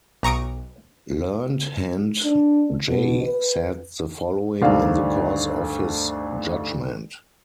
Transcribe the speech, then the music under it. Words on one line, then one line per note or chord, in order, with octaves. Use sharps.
Learned Hand J said the following in the course of his judgment.
B1 A#5 C#6 D#6 D7
D4
B2
B4
D2 G2 D#3 C4 D4 F5